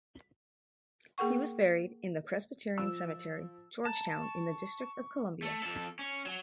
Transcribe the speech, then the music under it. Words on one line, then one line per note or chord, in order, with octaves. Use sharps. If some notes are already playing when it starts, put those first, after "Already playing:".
He was buried in the Presbyterian Cemetery, Georgetown, in the District of Columbia.
A#3 G#4 A#4 F#5 C#6
F3 E6
A5 A#5
C#6
A3
F2 A4
C#4
F#3